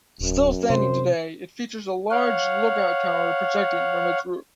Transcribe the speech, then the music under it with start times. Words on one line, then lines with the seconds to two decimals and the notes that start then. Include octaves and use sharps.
Still standing today, it features a large lookout tower projecting from its roof.
0.21 D1 F#2
0.70 C3 C5
2.11 C#5 F5 F#5